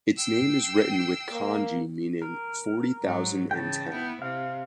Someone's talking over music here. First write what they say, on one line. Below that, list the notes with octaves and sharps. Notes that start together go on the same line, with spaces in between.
Its name is written with kanji meaning "forty thousand and ten".
G5 E6 C7
A#3
A#4
G#2 F#3
C#3 E3 G5 A5
B3 E4
C3 F5